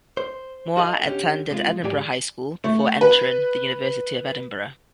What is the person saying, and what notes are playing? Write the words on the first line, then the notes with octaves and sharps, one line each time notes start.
Moir attended Edinburgh High School before entering the University of Edinburgh.
C5
F#4 A4 D#5 F5
D3 C#4 G4
C3 G#3 F4
G#2 F#3 G4 G#4 D5 G#5
A3
B4